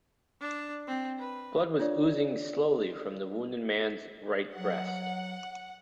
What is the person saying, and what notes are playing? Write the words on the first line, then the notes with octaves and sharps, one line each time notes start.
Blood was oozing slowly from the wounded man's right breast.
D4
C4
B4
D4 F4 C#5 D5
F#3 F#5